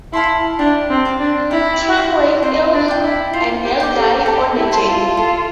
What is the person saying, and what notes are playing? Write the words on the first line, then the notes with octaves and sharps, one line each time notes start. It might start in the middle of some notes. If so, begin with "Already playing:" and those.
Trang was ill and nearly died on the journey.
E4 F5 A5 C6
D4 G4
C4
C5 F5
D4
E4 G4
C5 F5
C4 C5
D4
G5 D6
E4
F4 C5
G4
G5 D6
A4
G4 A4
E4
E5 A5 C6
F4
A4